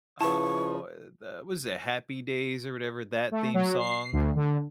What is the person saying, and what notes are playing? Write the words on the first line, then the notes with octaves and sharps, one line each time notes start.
uh, o the was it Happy Days or whatever, that theme song?
C#3 F3 E4 B4 A5 C#6
A3
F#3
C7
D2
D3